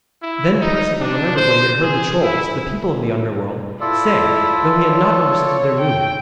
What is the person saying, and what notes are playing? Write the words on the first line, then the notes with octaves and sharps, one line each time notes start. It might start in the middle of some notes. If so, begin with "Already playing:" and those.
Then Perceval remembered what he had heard the trolls--the people of the Underworld--say, though he had not understood their meaning.
E4
D#4
D4
C5
G#4
E4
E4 F4 A4 D5
C#5
G5